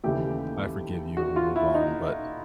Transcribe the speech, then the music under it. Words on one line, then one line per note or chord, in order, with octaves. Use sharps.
"I forgive you," we move on, but
D#2 C#3 E3 A3 G4
F#4
F4
E4
D#4